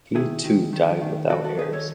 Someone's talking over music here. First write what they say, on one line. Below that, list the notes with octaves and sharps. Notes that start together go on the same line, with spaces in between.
He too died without heirs.
D#3 E4 G#4
D#3
D#3
D#3
D#3 F#4 A4
F#4 A4
D#3 G#4 B4
A4 C#5